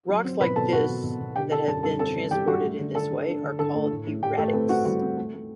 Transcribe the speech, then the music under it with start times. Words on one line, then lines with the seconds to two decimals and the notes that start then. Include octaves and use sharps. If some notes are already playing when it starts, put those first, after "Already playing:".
Rocks like this that have been transported in this way are called erratics.
0.09 F#3
0.24 C4
0.41 B2 B4 B5
0.56 B2 A4 A5
0.72 B2 F#4 F#5
0.89 B2
1.04 B2
1.20 B2
1.36 D3 G4 G5
1.52 D3 A4 A5
1.68 F#2 A4 A5
1.83 G3 A4 A5
1.99 C4 A4 A5
2.16 G3
2.31 G3 G4 G5
2.47 G3 F#4 F#5
2.63 A3
2.79 D3
2.95 D3 A4 A5
3.11 D3
3.27 D4
3.42 D3
3.59 D3 A4 A5
3.75 A3
3.91 A2
4.07 A2
4.22 A2 G4 G5
4.38 A2 A3 A4
4.48 B4
4.53 A3 C4 A4
4.69 C4 F#4 F#5
4.85 G3 F#4 F#5
5.02 C4
5.17 A3
5.34 A3